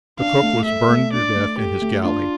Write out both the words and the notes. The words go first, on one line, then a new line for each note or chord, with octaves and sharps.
The cook was burned to death in his galley.
D4 F5
A3
A4 E5
A3
D4 D5
A3
G4 A4
A3
D4 F4